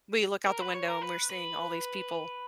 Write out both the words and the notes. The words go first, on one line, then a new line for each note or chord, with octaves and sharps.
we look out the window and we're seeing all these people
A#4
B4
C#5
A#4
B4
B4